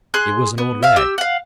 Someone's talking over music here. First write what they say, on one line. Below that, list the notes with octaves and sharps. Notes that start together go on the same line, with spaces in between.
It was an old rag.
G#4 C6 F#6
B3
E5 F5
G4 E6
F5 F#5